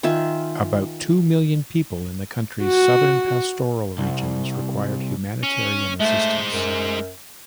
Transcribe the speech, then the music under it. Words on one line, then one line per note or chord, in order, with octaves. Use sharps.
About two million people in the country's southern pastoral regions required humanitarian assistance.
D#3 F4 E5 G#5
F#4
C2
C#4
G#3 A3 C5
F#2